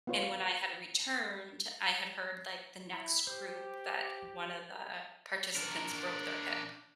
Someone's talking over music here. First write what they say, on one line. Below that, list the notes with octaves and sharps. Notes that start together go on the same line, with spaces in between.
and when I had returned, I had heard, like, the next group, that one of the participants broke their hip.
B3 F4 C#5
E4 B5
G4 C5
D4 A#4